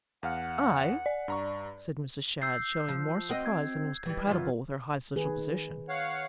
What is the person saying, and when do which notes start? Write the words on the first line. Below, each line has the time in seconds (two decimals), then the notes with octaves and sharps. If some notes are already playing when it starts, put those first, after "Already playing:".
"I?" said Mrs. Shadd, showing more surprise than was compatible with her high social position.
0.23 E2 F5 F#5 F6
1.06 D5
1.28 G2 A#5 C#6
2.42 E6 G6 C7
2.88 F3
3.29 C4 F#4 D#5
3.46 G#6
4.05 E3 G3
4.27 F#2 E3 F4
5.16 D#3 G#4 B4
5.89 C#5 F5 F#5